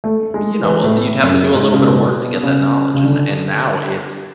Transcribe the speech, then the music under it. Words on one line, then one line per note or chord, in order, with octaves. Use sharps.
m you know, well, you'd have to do a little bit of work to get that knowledge and and now it's
A3
G#3
E3
A2
F#2
G#2
C#3
B2
C#3
C#3
D3